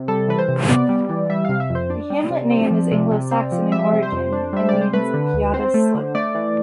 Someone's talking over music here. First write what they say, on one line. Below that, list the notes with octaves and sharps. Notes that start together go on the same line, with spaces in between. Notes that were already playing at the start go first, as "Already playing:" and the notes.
The hamlet name is Anglo Saxon in origin, and means 'Peada's slope'.
Already playing: C3
G3 A4
E3 B4
C5
C3
B3 D5
G3
E3
G3 E5
C3 F5
E5
F2
C5
D4 D5
G3
C3
C4
F3
C3
C3
C4
F3
G3 E5
C3
C5
F2
D4
G3 E5
C3 D5
C5
A3 B4
D3
D2
C4 C5
A3
D3
A3 D5
E3